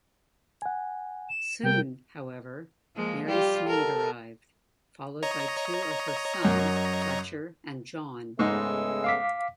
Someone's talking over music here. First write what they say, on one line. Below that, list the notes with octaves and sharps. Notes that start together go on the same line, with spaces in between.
Soon, however, Mary Snead arrived, followed by two of her sons, Fletcher and John.
F#5 G#5
E7
C3 G3 A#4 G5
F3 G#3 A#3
G3 F4 G4
A4 A#4
C#5 D#5 A#5
F#2
G#2 C#3 G#3 A3 B3 D#4 E6
F5 D6 B6